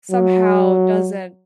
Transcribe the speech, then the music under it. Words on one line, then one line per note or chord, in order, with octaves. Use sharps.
somehow doesn't
F#3